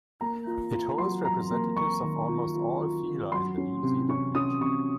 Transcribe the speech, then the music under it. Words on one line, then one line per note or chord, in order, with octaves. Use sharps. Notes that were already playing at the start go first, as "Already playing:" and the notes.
It holds representatives of almost all phyla in the New Zealand region.
A#3 A#5
F4
F4
F#3 C6
F#3 A#5
A#3
A#3 C#6
D#3
F4
F4
F4
F4
F#3 C6
C#4
C3
C#4 C#6
C#4 D#6
C3 C#6